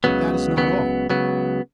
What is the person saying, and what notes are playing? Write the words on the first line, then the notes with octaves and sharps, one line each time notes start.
But that is not all.
C#2 C#3 F#3 B3
C#2 C#3 F#3 B3
C#2 C#3 F#3 B3